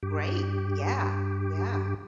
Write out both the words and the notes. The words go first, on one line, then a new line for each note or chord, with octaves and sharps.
Great. Yeah. Yeah.
G2 G4